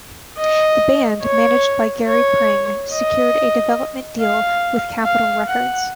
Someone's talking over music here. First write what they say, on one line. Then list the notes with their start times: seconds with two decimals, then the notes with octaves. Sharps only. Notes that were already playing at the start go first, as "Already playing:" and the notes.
The band, managed by Gary Pring, secured a development deal with Capitol Records.
0.38 D#5
1.22 C#5
2.07 C#5
2.92 D#5
4.19 F5
5.04 F5
5.47 F#5